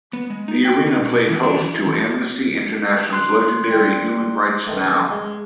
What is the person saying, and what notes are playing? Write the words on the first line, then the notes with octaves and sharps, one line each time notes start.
The arena played host to Amnesty International's legendary Human Rights Now!
B3
G#3
D#4
G5
D#4
B2
E3
D4
E3
C6 F#6
G3 C4
D#3 A3 B3
G#3